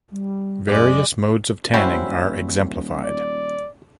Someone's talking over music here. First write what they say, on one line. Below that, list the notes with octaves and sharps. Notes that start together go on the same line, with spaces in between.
Various modes of tanning are exemplified.
G3
F#2 G#3 D5
D#1 G3 C4 C#4 E4 F#4 C5
D5